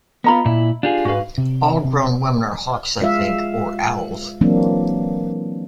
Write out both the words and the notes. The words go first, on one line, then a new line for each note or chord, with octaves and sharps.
All grown women are hawks, I think, or owls.
B3 F4 D#5 A#5 B5
A#2 E4
D4 F4 G4 G#4
G#2 F#4 B4 F5
C3
C3
G#3 F4 E5 F5
E3 F#3 A#3 C4 D4